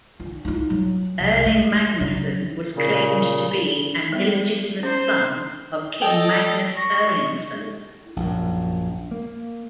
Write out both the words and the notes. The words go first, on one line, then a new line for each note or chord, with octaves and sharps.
Erling Magnusson was claimed to be an illegitimate son of King Magnus Erlingsson.
F4
D#4 F4
F#3
C2
A3
C#3 F#3
A#2 C#3
G3 B3
C#4 C5
A4 D#5 G5
C#6 A#6
A#1 F#2
A#3